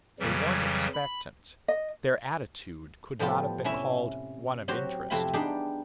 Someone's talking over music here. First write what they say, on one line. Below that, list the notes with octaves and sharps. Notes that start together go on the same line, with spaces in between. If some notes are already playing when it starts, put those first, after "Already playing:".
They weren't expectant, their attitude could not have been called one of interest.
F2 C#3 E3 F#3 G3
B5
D#5
A2 F3 G3 B3 F4
C3 C#4 E4 E5
F#3 C4 G4 C5 C#5
F2 C3 C4 E4 F4 B5
G3 B3 D4 D#4 G4 G#4